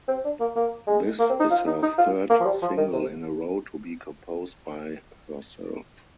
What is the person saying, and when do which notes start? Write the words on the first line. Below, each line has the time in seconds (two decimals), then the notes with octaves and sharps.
This is her third single in a row to be composed by herself.
0.08 C4
0.24 D4
0.40 A#3
0.56 A#3
0.87 G#3
1.19 A#3
1.30 C4
1.40 D#4
1.51 F4
1.67 D#4
1.82 D#4
1.98 F4
2.30 A#3
2.40 F3
2.46 G3
2.62 F3
2.77 D#3
2.93 C3